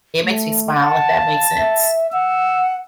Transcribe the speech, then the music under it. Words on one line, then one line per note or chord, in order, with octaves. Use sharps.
It makes me smile, if that makes sense.
A3
F#5 A5
F5
E5
F#5 E6